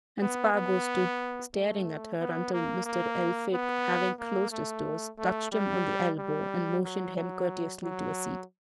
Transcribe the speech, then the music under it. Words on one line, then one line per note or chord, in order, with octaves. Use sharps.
And Spargo stood staring at her until Mr. Elphick, having closed his doors, touched him on the elbow, and motioned him courteously to a seat.
B3
B3
A3
B3
A#3
A#3
B3
A#3
A3
A3
G3
G3
F#3
F#3
F#3